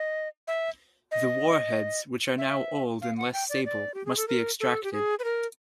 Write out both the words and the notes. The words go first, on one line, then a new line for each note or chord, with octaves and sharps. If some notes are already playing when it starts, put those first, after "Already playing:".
The warheads, which are now old and less stable, must be extracted.
Already playing: D#5
E5
D#5
E5
F5
F#5
G5
D5
D5
G4
G#4
A4
A#4
A4
G4
G#4
B4
A#4